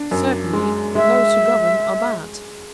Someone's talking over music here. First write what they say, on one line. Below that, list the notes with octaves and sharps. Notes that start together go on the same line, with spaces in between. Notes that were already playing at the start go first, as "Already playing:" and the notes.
"Certainly, when those who govern are bad."
Already playing: D4
F#2
G#3
G#3 E5